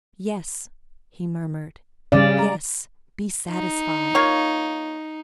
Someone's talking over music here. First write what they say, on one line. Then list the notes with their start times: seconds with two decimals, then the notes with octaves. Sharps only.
"Yes," he murmured,--"yes, be satisfied."
2.12 C#3 G3 D5
2.38 A#5
3.50 D#4
4.15 A#3 F4 C#5